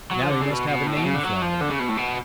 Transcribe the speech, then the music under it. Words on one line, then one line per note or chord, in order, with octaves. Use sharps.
Now we must have a name for our land.
F#3
F3
D3
C#3
B2
B2
A2
B2
C#3
D3
F#3
F3
D3
C#3
B2
A2
B2